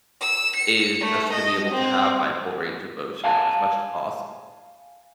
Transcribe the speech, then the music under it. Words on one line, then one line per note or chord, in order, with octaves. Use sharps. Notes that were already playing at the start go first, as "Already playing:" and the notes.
is just to be able to have my full range of motion or as much as possible,
E6
C#7
A3
D#5
C4
F5 G#5 A5